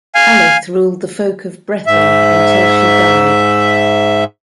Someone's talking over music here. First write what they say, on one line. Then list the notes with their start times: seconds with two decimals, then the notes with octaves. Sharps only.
Haleth ruled the Folk of Brethil until she died.
0.15 F5 G#5
1.87 G#2 E5